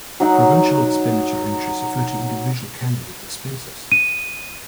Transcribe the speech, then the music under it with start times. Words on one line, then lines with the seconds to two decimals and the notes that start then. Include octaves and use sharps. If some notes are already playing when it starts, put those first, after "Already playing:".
Provincial expenditure entries refer to individual candidate expenses.
0.20 F#3 D#4 F#5
3.92 D#7